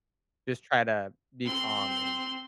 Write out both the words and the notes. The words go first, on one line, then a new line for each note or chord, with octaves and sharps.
Just try to be calm and
C4 C6